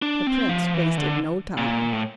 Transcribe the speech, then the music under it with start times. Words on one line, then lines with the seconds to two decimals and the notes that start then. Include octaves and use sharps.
The prince wasted no time.
0.02 D4
0.27 C4
0.49 F3
0.74 E3
0.97 D3
1.58 A#2
1.93 A2